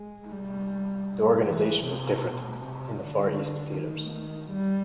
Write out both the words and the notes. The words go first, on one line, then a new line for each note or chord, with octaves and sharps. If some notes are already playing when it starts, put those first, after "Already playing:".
The organization was different in the Far East theatres.
Already playing: G#3
G3
E3
C3
B2
C3
D3
D#3
G3